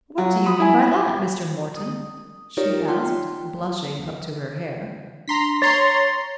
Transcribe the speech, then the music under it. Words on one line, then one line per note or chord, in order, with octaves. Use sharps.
"What do you mean by that, Mr. Morton?" she asked blushing up to her hair.
F#3
B5 D#6
E4 G#5
D#6
D#4 F4 G4 A#4 C#5 D5
F4 G5 C6
D4 A#5 C6 B6
C#5 A#5 C6 A6